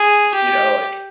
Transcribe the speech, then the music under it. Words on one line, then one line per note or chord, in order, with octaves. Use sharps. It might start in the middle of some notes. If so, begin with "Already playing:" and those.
you know, like,
Already playing: G#4
G4